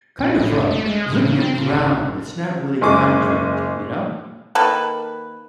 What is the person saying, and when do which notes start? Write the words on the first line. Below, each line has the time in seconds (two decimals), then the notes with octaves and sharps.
kind of, um, liquid ground, it's not really concrete, you know?
0.19 A#1
0.39 A2
0.56 F1
0.71 A3
0.86 G#3
1.10 A2
1.25 C#3
1.40 C4
1.58 C#3
1.72 G#1
2.81 F#1 G#3 G#4 C#6 D6
4.55 D#3 A#3 A4 B4